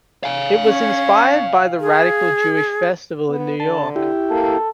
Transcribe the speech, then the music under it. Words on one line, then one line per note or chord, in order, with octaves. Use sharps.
It was inspired by the Radical Jewish Festival in New York.
F5 G#5
C#4
G#4
B3
D3 A5
E4 G4
A#3 A4